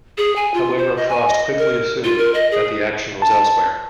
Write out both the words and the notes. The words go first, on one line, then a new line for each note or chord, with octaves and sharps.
However Frost quickly assumed that the action was elsewhere.
G#4
G#5
F4
C5
D#5
G#5
D#5
A#4
F4
A#4
D#5
G#4
A5